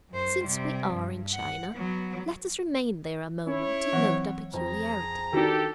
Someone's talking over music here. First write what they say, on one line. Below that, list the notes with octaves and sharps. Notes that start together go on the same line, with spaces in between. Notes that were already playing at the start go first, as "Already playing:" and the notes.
Since we are in China, let us remain there a moment to note a peculiarity.
F#2 C5
C3 G3
G2
F#5
F#3 B3
C#4 E4 C#5
E3 F#3 C4 F#5
F2 G#4 A#5
D#3 D4 F#4 G4 A4